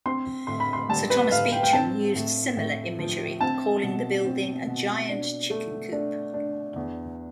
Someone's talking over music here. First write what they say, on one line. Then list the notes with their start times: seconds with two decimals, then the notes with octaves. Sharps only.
Sir Thomas Beecham used similar imagery, calling the building a "giant chicken coop".
0.06 C4 C6
0.47 A2 C6
0.60 B5
0.73 C6
0.89 G3 A5
1.10 B4
1.31 A2 F5
1.52 G5
1.63 G5
1.73 C4 A5
2.16 A2
2.57 A2
2.99 F3
3.41 C4 A5
3.83 B2
4.25 C4
4.67 B2
5.09 D4
5.50 A3
5.92 D4
6.34 D4
6.76 E2